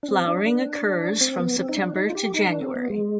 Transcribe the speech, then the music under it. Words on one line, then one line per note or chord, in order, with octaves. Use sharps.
Flowering occurs from September to January.
D4
C4
D4
D4
C4
B3
C4
D#4
D4
D#4
F4
G4
D#4
D4
C4
B3
G#3